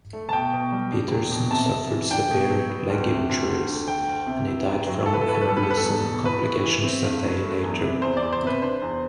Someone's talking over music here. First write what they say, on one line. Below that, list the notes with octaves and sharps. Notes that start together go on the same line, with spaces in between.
Peterson suffered severe leg injuries, and he died from embolism complications a day later.
A3
A5
B2 G5
B2
G3
D4
E2
B2
C3 A5
C3
E3
D4 G5
B2
F#3
B3
D2
C3
D2
D2
D3
A3 G5
D2
C3
E4
F#2
F#3
E4 A4
B4
A4
A2 B4
A4
B4
G3 A4
B4
A4
B3
B4
A4
E2
B2
A2 B4
A2
E3
C4
G2
F#3
A3
E2
C3
E2 C5
D5
E2
C5
C3 B4
D4 C5
E2